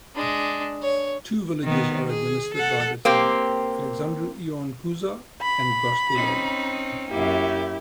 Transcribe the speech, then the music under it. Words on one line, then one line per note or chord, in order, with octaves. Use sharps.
Two villages are administered by the town: Alexandru Ioan Cuza and Gostilele.
G#3 D4
C#5
D#3 B3
G#4
A4 F#5
A#3 C4 G4
B5
C4 C#4 D#4
F#2 A#3 E4 G4